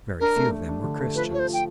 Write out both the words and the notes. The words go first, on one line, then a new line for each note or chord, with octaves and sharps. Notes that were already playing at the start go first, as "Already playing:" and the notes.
Very few of them were Christians.
D4 A#4
A3
A3
D4
D3
A3
F3 B4
F3 C#5
C5
F3
G5